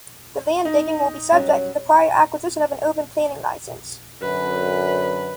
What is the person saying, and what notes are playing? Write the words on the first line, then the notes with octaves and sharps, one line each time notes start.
The land digging will be subject to the prior acquisition of an urban planning license.
D#4
F#3 G3 C#4
F#2 D3 B4